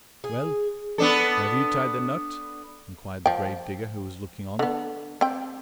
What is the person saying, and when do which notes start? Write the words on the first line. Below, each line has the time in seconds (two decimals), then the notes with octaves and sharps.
"Well, have you tied the knot?" inquired the grave-digger, who was looking on.
0.24 G#4
0.98 B3 D4 A4
3.26 F3 G5
4.59 D3 B3
5.21 C4 G5